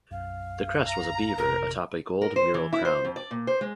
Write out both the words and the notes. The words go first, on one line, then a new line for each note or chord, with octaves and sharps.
The crest was a beaver atop a gold mural crown.
B1 F#2 F5
A#5
A1 F2 C3 A#4
A#4
C5
E3
E4
C5
F2
D5
A#2
C5
G#3